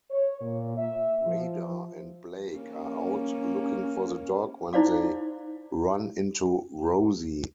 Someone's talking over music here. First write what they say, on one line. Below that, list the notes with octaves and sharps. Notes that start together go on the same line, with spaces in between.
Radar and Blake are out looking for the dog when they run into Rosie.
C#5
A#2
E5
F3
A#3 C#4
D#4 E4 C5 D5 F5 D6